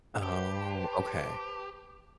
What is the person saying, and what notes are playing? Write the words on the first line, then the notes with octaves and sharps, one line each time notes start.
Oh, okay.
G4 B4 C5 A5